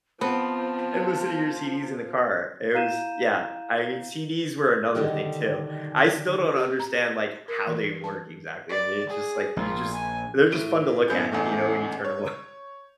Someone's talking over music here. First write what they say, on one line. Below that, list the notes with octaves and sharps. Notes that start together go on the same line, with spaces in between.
and listen to your CDs in the car, it was yeah. I mean, CDs were another thing, too. I still don't understand, like, how they work exactly. I mean, it's just, like you just they're just fun to look at, you know, when you turn them on.
F3 B3 C4 A5
E4 F5 A#5 G6 D#7 E7
B2 D3 D#3 G3
G4
A#5
A#4
E3
A5
D5
G#4
A#1 F4
G#5
A2 D7 D#7 G7
F#2 A2 B3 C4 B4 G6
A1 E2 A3
C#5